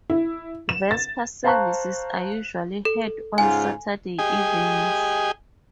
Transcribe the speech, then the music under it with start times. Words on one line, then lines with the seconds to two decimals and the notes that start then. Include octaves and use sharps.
Vesper services are usually held on Saturday evenings.
0.10 E4
0.69 E7
0.91 A6
1.44 C5 F5 A5 A#5 C#6 F#6
2.85 A4
3.38 G#2 C#3 F4 G#5
4.19 G4 G#4 D#5 G#5